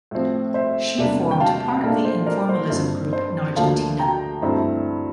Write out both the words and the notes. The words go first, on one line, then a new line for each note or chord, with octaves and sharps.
She formed part of the Informalism group in Argentina.
A2 F3 C4
C5 E5
E2 C3 G3 A#3 D4
G5
F5 A5
A#2 A3 D4 F4 A#4
C5
A#4 D5
C5
G2 F3 C4 C5
C5
D2 D3 F3 A#3 F5 A5
G5 A#5
G2 E3 A3 C4 E4